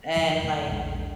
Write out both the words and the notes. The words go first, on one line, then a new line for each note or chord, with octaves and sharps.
and, like
F2 D3 F3 F#3
F2 B2 D3 A3
A#1 E2 G#3 D4